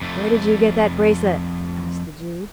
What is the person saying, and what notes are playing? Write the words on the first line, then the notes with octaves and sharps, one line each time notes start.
'Where did you get that bracelet?' asked the Jew.
F2 A3